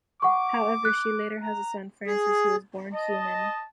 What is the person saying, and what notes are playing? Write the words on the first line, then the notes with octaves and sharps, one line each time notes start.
However, she later has a son, Francis, who is born human.
F#5 C#6 D6
F#6
A#5
G#4
D#5 A5